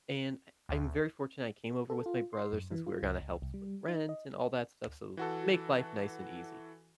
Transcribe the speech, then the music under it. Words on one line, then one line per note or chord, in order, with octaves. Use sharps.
and I I'm very fortunate, I came over with my brother since we were gonna help split rent and all that stuff, so make life nice and easy.
D2
A4
F4
C6
F#2
E3
F4
C#2
C#2
C2
G3
D#4
D#5
E3 F#4 A4